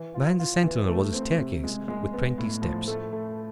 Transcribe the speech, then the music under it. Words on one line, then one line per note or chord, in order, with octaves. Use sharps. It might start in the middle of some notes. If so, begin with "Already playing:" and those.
Behind the sentinel was a staircase with twenty steps.
Already playing: E3
F4
F4
E3
A3
C4
C3
G#3
G#3
B3
A2
F3
A3
A3